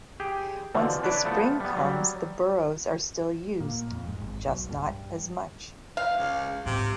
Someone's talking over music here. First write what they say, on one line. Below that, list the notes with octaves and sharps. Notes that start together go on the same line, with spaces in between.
Once the spring comes the burrows are still used, just not as much.
G4 G#4 G5
B2 D3 E3 F3
D4 E4 B4 C#5 D5
F3 A3 B3 A4
G3 B3
F#3 G3
A#2
F2
G#2
G#1
B1
G2
F5
C#2
G#2 C3